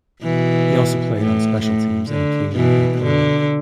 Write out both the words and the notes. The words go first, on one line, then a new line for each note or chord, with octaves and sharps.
He also played on special teams and occasionally at quarterback.
B2 E3
A2
A2
D3
B2 E3
D3